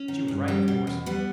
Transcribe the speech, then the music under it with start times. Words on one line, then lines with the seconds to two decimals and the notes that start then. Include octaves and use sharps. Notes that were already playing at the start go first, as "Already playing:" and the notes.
She was right, of course.
Already playing: C#4
0.08 D#3
0.28 G2
0.48 G3
0.68 B2
0.87 E2
1.06 G3 B3